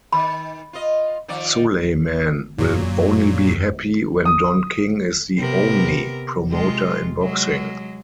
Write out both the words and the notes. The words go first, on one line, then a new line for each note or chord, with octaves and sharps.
Sulaiman will only be happy when Don King is the "only" promoter in boxing.
D#3 B5
F4 D#5
D#3 F3 D5
F#2 A#2 F#3
D#6
C3 B3 A#4
C3 G#3 F4
F#3 G#3